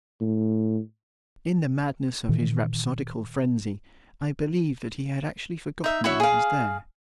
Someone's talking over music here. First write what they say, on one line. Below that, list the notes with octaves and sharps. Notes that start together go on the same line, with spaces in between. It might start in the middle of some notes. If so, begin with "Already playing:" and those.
In the madness of his rhapsodical frenzy I believe that he had actually forgotten I was there.
A2
A#2 D#3 E3
D#4 E5
E4 F#4 C#5 E5
G#4 F5